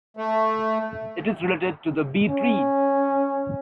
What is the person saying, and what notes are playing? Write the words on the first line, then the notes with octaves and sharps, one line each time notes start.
It is related to the B-tree.
A3
C#4